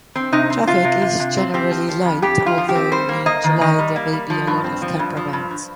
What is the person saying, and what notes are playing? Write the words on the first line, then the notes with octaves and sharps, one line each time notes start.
Traffic is generally light, although in July there may be a lot of campervans.
C4
C3 D#4
C4
C3 F4
C3
C3
C3
C4
C4 G4
F3
F3
F2
F2 G4
F2
F4
F3
G4
C4
G3 C5
A#3
A#3 D#5
D#3
D#3 D#5
G3
A#3
G3
F3
G2
C4
F3
G2
F3
G2
G2